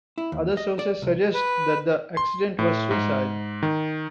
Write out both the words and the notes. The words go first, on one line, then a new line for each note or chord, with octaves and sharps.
Other sources suggest that the accident was suicide.
E4
D#2
D#5
D5
C2
B4
C6
A2
G#2
D#3